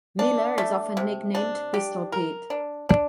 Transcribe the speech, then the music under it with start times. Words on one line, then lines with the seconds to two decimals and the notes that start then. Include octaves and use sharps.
Miller is often nicknamed "Pistol Pete".
0.19 D4
0.58 A3
0.97 C3
1.35 D4
1.74 G4
2.12 A#4
2.50 D4
2.89 D4